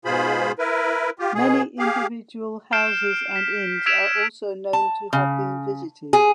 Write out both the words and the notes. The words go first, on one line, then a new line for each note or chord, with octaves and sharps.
Many individual houses and inns are also known to have been visited.
G#2 B2 F4 G#4 C5 B5
E4 A#4 B4
F4 G4
B2 G#4
G4 G#4 F5
F6 G6 C7 D7 E7
B6 E7
E6 G#6 B6 D7 E7 F7
A5
C#3
G#4